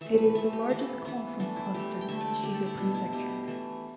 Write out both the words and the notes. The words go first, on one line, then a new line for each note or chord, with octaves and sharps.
It is the largest "kofun" cluster in Shiga Prefecture.
E3 A3 E5
B4
E3 A3 E5
G4
E3 B3 E4
E3 B3
E3 A3 D4
E4
E3 A3 G4
G5
D3 A3 E5
D5
D3 A3 G4
A4
E4
B2 B3 D4
E4
B2 B3 G4
E3 A3